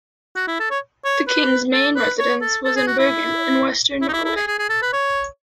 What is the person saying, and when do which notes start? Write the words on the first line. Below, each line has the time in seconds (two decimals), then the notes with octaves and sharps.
The king's main residence was in Bergen in Western Norway.
0.36 F#4
0.48 E4
0.60 A4
0.71 C#5
1.05 C#5
1.28 B4
1.73 A4
1.96 B4
2.19 C#5
2.41 A4
2.65 A4
2.76 G#4
2.87 F#4
2.99 E4
4.02 E4
4.09 D#4
4.13 E4
4.24 E4
4.36 G#4
4.47 G#4
4.59 G#4
4.70 A4
4.82 B4
4.93 C#5